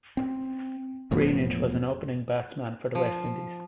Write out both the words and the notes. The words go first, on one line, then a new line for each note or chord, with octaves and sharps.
Greenidge was an opening batsman for the West Indies.
C4
E1 A2 F3 B3
F3